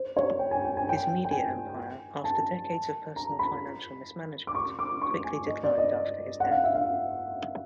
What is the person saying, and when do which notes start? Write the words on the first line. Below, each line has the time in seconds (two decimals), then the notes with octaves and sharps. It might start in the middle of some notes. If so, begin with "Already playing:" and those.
His media empire, after decades of personal financial mismanagement, quickly declined after his death.
Already playing: C5
0.17 C#5
0.39 G5
0.51 G#5
0.65 G5
0.77 G#5
0.89 G5
1.25 G5
1.31 G#5
2.24 A5
3.16 A#5
3.39 B5
4.47 D6
4.55 C#6
4.79 D6
5.02 C#6
5.24 G#5
5.47 D#5
5.64 D5
5.78 D#5
6.40 F#5
6.51 F5
6.64 E5
6.75 F5